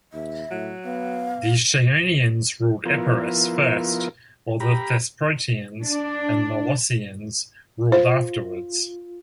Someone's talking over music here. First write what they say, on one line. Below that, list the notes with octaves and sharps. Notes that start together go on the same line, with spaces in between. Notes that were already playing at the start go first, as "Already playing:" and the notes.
The Chaonians ruled Epirus first while the Thesprotians and Molossians ruled afterwards.
D#2 E5
A2 F#3
B3 F5
F3 B3 E4 F4 A#4
G4 A#5 B5
D4
F4 C5